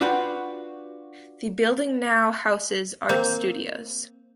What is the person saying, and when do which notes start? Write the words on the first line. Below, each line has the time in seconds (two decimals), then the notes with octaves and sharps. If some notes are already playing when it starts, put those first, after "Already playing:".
The building now houses art studios.
0.01 D4 F4 F#4 B4 F#5 G5
3.09 A#3 C4 C5 G6